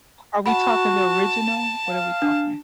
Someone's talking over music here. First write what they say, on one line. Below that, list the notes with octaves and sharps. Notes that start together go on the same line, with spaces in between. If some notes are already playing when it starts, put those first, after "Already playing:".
are we talking the original? What are we talking?
F#4 F#5 A5 B5
F5
D4